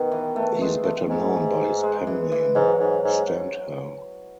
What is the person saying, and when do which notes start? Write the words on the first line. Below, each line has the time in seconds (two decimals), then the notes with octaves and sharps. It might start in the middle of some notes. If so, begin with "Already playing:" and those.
He is better known by his pen name Stendhal.
Already playing: B2 D#3
0.12 E3
0.36 A3
0.61 G#3
0.85 A3
1.10 G#2
1.83 G#3
2.07 E3
2.32 E3
2.55 G#2 F#3
2.80 G#2
3.05 G#2